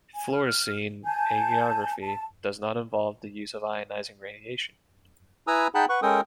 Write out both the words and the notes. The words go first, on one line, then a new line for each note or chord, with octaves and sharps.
Fluorescein angiography does not involve the use of ionizing radiation.
G#5
F6
G#5 A5 G6
A5
E4 B4 G#5 A#5 D#6 E6
D#4 G#4 F#5 G5 A5 B5
B4 F#5 C#6
G#3 C#4 A4 A#4 G5 D#6